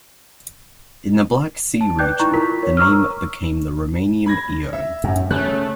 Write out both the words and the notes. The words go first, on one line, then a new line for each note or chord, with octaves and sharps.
In the Black Sea region, the name became the Romanian Ioan.
A5
B4 D5 G5 D6 F#6 G6
D#4 E4 A#5 C#6
E4 F4 A#4 B6
A#4 C#5
A#5 C#6 D6 E6 F6
B5 G#6 A#6
E5
F#2
C#3 A3 F#6